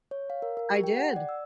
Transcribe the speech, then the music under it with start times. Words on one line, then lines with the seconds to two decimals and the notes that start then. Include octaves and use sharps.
I did.
0.11 C#5
0.30 F5
0.42 A#4
0.57 A#4
0.70 G4
0.84 G5
0.97 F#5
1.16 D5
1.29 E6